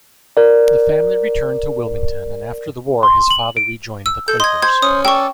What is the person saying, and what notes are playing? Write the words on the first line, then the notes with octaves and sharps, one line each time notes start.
The family returned to Wilmington and after the war his father rejoined the Quakers.
A#4 D5
C6
F#7
D7
E6
A4 G6
D#5 C6 G#6
C5 G#6
C#4 D#6
A4 D5 G5 C#6